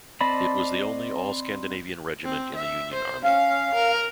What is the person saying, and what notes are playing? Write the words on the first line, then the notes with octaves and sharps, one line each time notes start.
It was the only all Scandinavian regiment in the Union Army.
C4 D5 D#5 A5 B5
C4
E5
C5
C#4 F5
A#4